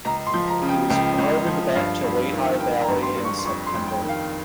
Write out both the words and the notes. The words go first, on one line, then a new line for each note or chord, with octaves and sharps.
He was promoted back to Lehigh Valley in September.
C#2 A#5
C6
F3
A#5
C#3
G5
C#2 G5
C#2
F3
G2 F5
G2
D#3
D#3 G5
A#5
G2
C6
G2
C#6
C6
F2 C#6
C6
F2
G5
D#3
F5